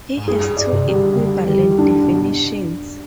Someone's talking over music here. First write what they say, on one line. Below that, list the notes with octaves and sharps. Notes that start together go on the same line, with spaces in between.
It has two equivalent definitions.
G#2
G2 G#4
G2
D5
C3
D#3 G3
D3
C3
D3 G3
D#3 G3
D#3
D3 D4
B2